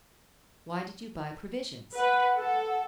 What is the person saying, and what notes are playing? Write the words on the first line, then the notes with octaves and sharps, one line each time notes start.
"Why did you buy provisions?"
B4 F#5
A4